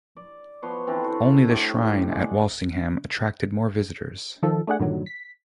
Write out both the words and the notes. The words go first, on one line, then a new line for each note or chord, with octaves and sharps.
Only the shrine at Walsingham attracted more visitors.
D5
F3 B3 C#5 C6
D3 E3 C4
F#4 C5
A2 G4 C5 C#6
G#3 D5 F#5
D#3 F3 A4
A3 D4 G#4 F#5
G2 A#2 D3 D#3 F#3
B6